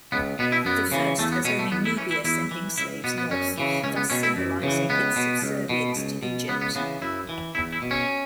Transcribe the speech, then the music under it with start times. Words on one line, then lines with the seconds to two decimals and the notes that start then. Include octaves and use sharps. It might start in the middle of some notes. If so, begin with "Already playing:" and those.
The first has only Nubia sending slaves north, thus symbolizing its subservience to Egypt.
0.12 C#2 B3
0.39 B2 B3
0.52 E4
0.65 F#2 B3
0.91 C#3 E3
1.18 E2 A3
1.32 B3
1.45 B2 C#4
1.59 A3
1.71 E2 B3
1.85 E4
1.98 E3 C#4
2.11 E4
2.24 E2 E4
2.51 E3
2.78 C#2 E4
3.04 B2 B3
3.18 B3
3.30 F#2 C#4
3.58 C#3 E3
3.84 C#2 C#4
3.96 B3
4.10 B2 C#4
4.23 E4
4.36 F#2
4.63 C#3 E3
4.89 C#2 B3
5.16 B2
5.42 C#2
5.69 B2
5.96 C#2
6.23 B2
6.49 C#2 B3
6.62 B3
6.75 C#3 E3 B3
7.01 F#2 E4
7.29 E3
7.55 E2 E4
7.73 E4
7.82 B2
7.91 C#4